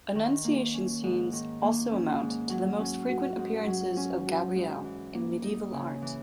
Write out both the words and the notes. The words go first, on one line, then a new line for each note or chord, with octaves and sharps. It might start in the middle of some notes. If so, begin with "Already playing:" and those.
Annunciation scenes also amount to the most frequent appearances of Gabriel in medieval art.
D#3
A#3
C#4
G#2
D#3
A#3
C#4
G#2
F#3
C#4
F#4
G#2
F#3
C#4
F#4
G#2
E3
A#3
D#4
C#3
E3